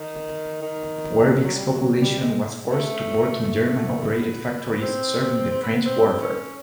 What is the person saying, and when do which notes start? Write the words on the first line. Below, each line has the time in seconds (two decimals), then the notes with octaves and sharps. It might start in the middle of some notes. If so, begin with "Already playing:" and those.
Wervik's population was forced to work in German operated factories serving the trench warfare.
Already playing: D#3
0.62 D#3
1.32 F3
1.43 F#3
1.54 G3
1.66 F#3
2.01 G3
2.19 G#3
2.71 A3
3.41 A3
4.11 B3
4.81 C4
5.51 C4
5.63 B3
5.74 B3
5.85 C4
6.20 C#4